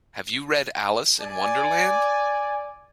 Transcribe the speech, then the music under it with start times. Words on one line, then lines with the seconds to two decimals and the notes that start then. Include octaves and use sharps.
Have you read Alice in Wonderland?
1.21 D5 G#5